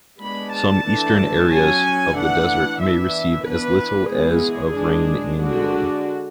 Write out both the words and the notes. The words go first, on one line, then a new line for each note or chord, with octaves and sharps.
Some eastern areas of the desert may receive as little as of rain annually.
G#3 B3 D4 B5
A5
E3 A3 D4
F#3 C#4 G#5
E3 A3 D4 F#5
E3 B3 D4 E5
E3 B3 D4 B4
E3 G#3 B3 G#4
G#3 D4
D3 G#3 D4 F#4